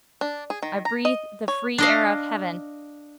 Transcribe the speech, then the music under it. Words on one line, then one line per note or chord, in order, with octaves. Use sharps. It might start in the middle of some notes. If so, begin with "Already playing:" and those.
I breathed the free air of Heaven.
D4
G#4
D#3
A#5
D#5
C#5
D4 D#5 F5